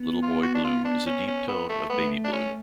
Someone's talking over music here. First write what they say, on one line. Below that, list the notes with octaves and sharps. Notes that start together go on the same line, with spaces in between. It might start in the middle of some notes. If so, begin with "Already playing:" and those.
Little boy blue is a deep tone of baby blue.
Already playing: B3
F4
F#4
D4
F4
D4
C#4
C#4
B3
A3
A3 B3
D4
C#4